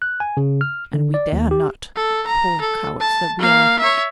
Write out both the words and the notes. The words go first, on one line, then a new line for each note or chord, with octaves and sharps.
And we dare not; poor cowards that we are!
F#6
G#5
C#3
F6
D3
D5
D#2
G4
A4
A#5
A4
A5
A#3 F5
C#5 E5